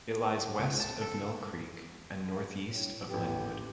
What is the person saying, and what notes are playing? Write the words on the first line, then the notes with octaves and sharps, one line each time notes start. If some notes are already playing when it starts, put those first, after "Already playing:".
It lies west of Mill Creek and northeast of Lynnwood.
C#2
A5
A4
A2
A1 B3 G4